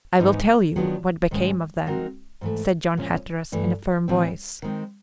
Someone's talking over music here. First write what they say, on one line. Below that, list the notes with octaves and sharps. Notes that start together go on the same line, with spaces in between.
"I will tell you what became of them," said John Hatteras in a firm voice.
G#2 E3 G#3 B3 D#4
D#3 F#3 B3 D4 F4
G#2 D#3 G#3 C#4
G#3 C4 D#4 F#4 A#4
G#2 E3 A3
A#2 F3 G#3 C#4
G2 E3 A3
A2 E3 G3 C4
D#3 G#3 C4